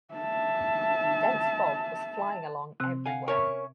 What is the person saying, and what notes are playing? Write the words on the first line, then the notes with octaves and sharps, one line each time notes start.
Dense fog was flying along everywhere.
E5 A5
C3 C4 F#6
F5 F#5 G#5
C#4 A#4 C#5 E5 C#6